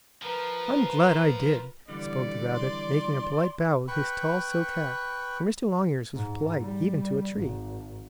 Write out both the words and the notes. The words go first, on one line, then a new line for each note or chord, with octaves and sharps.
"I am glad I did," spoke the rabbit, making a polite bow with his tall silk hat, for Mr. Longears was polite, even to a tree.
F3 A#4 B4
D3 E3 G3 D5
C6
B4 G5 B5 C#6
G#2
G3
G#1